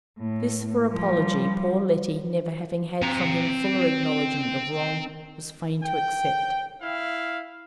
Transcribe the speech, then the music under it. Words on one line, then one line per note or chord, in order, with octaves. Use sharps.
This for apology poor Letty, never having had from him fuller acknowledgment of wrong, was fain to accept.
A2
F3 G3
C4 A#5
G5
E4 F5